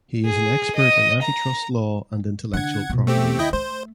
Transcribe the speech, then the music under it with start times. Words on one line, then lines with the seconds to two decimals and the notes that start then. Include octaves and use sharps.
He is an expert in antitrust law and intellectual property law.
0.25 G#4
0.76 D#5
1.23 A#5
2.54 D3 D4 F#5 G#6
2.90 B2 B3
3.07 A3 C4 G4
3.39 E4 D#5 G5
3.53 A3 C5